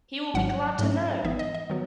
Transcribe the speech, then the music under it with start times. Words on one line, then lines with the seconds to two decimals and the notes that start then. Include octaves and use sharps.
He will be glad to know!
0.34 G#1 G#2 F#3 C#4 F#5
0.79 G#2 F#3 A3 C#4
1.24 A1 G#2 E3 B3 E5
1.39 D#5
1.55 D#5
1.70 D#3 F#3 B3